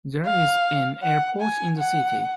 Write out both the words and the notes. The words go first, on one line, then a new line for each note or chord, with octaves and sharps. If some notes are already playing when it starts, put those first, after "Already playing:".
There is an airport in the city.
F5
F#5
G#5
F#5